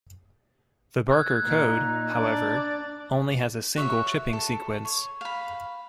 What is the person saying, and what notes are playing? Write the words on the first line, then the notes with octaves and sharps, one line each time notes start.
The Barker code, however, only has a single chipping sequence.
E6 F#6 G#6
A#2 D#4
D4 D5
F#4 C#5 E5
A4
C#5
F5 B5